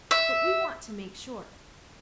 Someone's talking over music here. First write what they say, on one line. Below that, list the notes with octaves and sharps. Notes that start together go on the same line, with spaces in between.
But we want to make sure.
E5